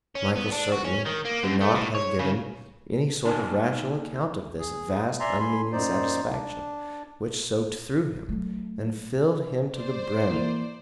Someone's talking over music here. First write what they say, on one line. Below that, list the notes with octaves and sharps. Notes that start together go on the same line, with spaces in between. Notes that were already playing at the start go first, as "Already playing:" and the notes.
Michael certainly could not have given any sort of rational account of this vast unmeaning satisfaction which soaked through him and filled him to the brim.
C#4
B3
D4
F#4
C#4
D#3
A#3
F#2
A3
A2
C#5
C#3
A#3 D#4 D5 G#5 A5
G#4
D5 E5 G#5 A#5 C6
G#5 B5 C6
F#2 A#2 D#4 C5 D5
D4
F#3 A3
C5 D5
E3 A#3